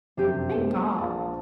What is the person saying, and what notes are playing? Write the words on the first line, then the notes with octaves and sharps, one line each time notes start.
Thank God.
F1 F#2 C3 D4 G4
G#3 A#3 B3
A#1 F5 A5